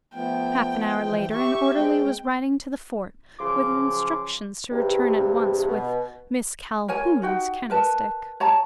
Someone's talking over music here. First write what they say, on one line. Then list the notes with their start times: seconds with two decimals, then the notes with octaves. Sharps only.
Half an hour later an orderly was riding to the fort with instructions to return at once with Miss Calhoun's candlestick.
0.14 F3 A3 B3 G5
0.95 E3 F3
1.34 G4 E5 C#6
1.75 G#3 C4 G5
3.39 C#3 F3 F#3 C6 D6
4.72 E2 G2 C3
5.68 B2
6.88 A#4 C#5 G#5
7.22 D#4 F#4 G5
7.70 A#4 B4 A5
8.40 C#5 A5 A#5